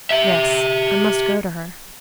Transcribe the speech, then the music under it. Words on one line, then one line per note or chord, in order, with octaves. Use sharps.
"Yes, I must go to her."
G4 E5